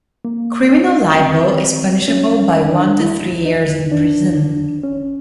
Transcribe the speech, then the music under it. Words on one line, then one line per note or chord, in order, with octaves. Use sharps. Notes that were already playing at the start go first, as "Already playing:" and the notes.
Criminal libel is punishable by one to three years in prison.
A#3
C4
C#4
C#4
D4
E4
D#4
D4
C#4